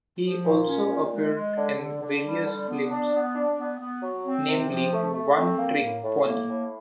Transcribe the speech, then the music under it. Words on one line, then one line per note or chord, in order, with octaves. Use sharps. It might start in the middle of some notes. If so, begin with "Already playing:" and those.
He also appeared in various films, namely "One Trick Pony".
F3
A#2
C#4
A#2
G#3
G#3
D3
D3
D3
G3
D3
B3
D4
B3
D4
B3
B3
F#3
C4
C3
F3
A3
A3
C4
A#3
A2
A2
A#3
A2